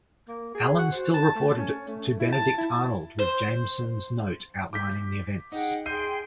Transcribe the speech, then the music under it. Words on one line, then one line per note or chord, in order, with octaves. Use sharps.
Allen still reported to Benedict Arnold with Jameson's note outlining the events.
A#3
G#4
F#4
C5
A5
A3
C#4
A3
E4
A5
E4
C5
D6 G6 B6
D#4 G#4 F#5 G5
G#4 G5 C6 G6 C7 D#7